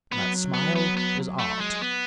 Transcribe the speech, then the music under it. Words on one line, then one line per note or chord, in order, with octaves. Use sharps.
And that smile is art.
F#3 B3
B3
B3
B3
A3
G#3
B3